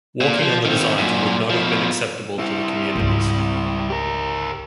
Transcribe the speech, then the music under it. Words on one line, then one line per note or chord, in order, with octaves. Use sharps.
Walking on the designs would not have been acceptable to the communities.
A#2
F3
D#3 C4
F#2 A#2
B2 F3
G3 E4
G#1 C#2
G4 A#4